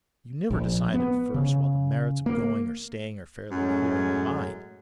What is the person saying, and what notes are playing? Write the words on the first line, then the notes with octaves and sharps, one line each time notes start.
You never decide at first while the merits of going or staying are fairly clear in your mind.
A#1
B3
C#3
A#3
F#2 A2 G#3 C#4